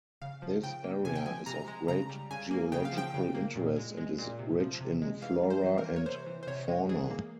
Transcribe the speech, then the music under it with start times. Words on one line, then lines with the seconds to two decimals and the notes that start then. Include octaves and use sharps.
This area is of great geological interest and is rich in flora and fauna.
0.22 C#3 F5
0.42 F3
0.63 C#3 G5
0.84 A#3
1.05 C3 G#5
1.15 G5
1.26 F3 G#5
1.46 C3 A#5
1.68 G#3
1.88 C#3 A#5
2.09 G3
2.31 C#3 G#5
2.51 A#3
2.72 C#3 G5
2.85 F5
2.92 F3
2.98 G5
3.14 C#3
3.35 A#3
3.56 A#2
3.76 G#3
3.97 G#3
4.18 A#2
4.39 C3
4.60 F3
4.81 C3
5.02 G#3
5.22 E3 F5
5.43 G3
5.50 C5
5.64 E3
5.78 A#4
5.85 A#3
5.96 C#5
6.06 C3 C5
6.26 E3
6.43 C5
6.47 C3 C#5
6.68 G#3
6.89 E3 G#4
7.11 A#3